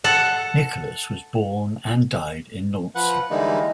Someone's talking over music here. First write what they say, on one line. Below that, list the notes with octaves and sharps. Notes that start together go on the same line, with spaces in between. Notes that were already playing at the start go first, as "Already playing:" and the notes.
Nicholas was born and died in Nancy.
A4 F#5
F3 B4 F#5
D3 E3 G3 G#3 A#3 D#4